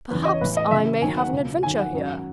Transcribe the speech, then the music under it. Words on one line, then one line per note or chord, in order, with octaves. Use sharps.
Perhaps I may have an adventure here.
E2 C#3 E3 B4
D#5
C#5
A1 A2 E3 B4
D#5
F#1 F#2 E3 E5
D#2 D#3 F#3 G#5
F#5
C#2 B2 F#3
D#2 D#3 F#3 G#5
F#5
G#1 F#2 D#3 F#3